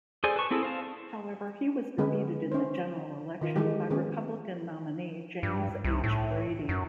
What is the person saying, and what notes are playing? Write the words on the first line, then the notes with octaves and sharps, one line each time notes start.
However, he was defeated in the general election by Republican nominee James H. Brady.
G#4 A4 C5 D5 G#5
B4 A5 C#6
B3 C4 E4 G#4 A4
C5 F5 A5
D3 G#3 B3 C#4 G#4 B4
C#4 C5
D#3 F4
D#3 E3 G#3 G4
D#3 B3 C#4 G#4
G2
C2
A2
F#2